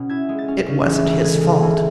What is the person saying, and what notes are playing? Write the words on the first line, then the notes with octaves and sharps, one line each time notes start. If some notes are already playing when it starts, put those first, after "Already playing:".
It wasn't his fault.
Already playing: B2 C#4
E4 G#6
G#3
A6
C#4
C#3
E3
D2
G#3 G#6
C#3
E3